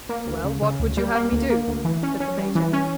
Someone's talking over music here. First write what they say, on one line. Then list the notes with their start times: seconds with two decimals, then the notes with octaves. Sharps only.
"Well, what would you have me do?" said the major.
0.09 A#3
0.27 D2
0.44 C#3
0.62 C#3
0.80 D2
0.97 G3
1.15 A#3
1.32 D2
1.50 A#3
1.68 D2
1.85 E3
2.03 C#4
2.20 C#4
2.37 G3
2.55 E3
2.73 C#4